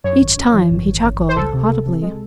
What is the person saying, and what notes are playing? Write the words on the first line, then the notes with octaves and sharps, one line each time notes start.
Each time he chuckled audibly.
F#2 C#5
G#1
F#2
E3
G#1
G#1
G#1
G#1
C5
C#2 A4
C3
C3
C3
G#3